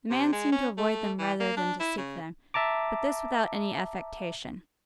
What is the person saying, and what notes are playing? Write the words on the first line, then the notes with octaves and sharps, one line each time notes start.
The man seemed to avoid them rather than to seek them, but this without any affectation.
C3
G#3
C#4
A3
E3
A#3
D4
E4
C#3
E5 A5 A#5 D6